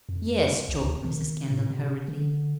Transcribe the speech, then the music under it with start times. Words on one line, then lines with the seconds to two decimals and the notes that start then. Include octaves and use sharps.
"Yes," choked Mrs. Kendall, hurriedly.
0.09 F2
0.69 C2
0.82 D2
1.05 D#3
1.50 A2
1.70 C3
2.08 D3